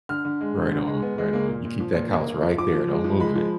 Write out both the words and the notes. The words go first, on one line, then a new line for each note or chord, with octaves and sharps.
Right on. Right on. You keep that couch right there, don't move it.
D3 F6
D3
G#3
D3
D3
G#3
B3
G#3
A#3
A#2
A#2
F3
A#2
A#3
A#3
F3
F3 D6
F3
G#3
F3
G#3 B5
F3